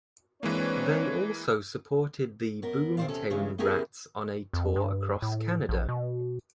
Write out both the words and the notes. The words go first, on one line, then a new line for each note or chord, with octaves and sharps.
They also supported the Boomtown Rats on a tour across Canada.
E3 G#3 A#3 C4 D4 B4 C#5
F#2 B3 A#4
C3 C4 B4 C5 D5 F5
E2 C3 C#4 A4
G2 C#3 E3 G#3
B3 C#4 E4 G4 G#4 A#4
F2
G2
A2
A#1
B2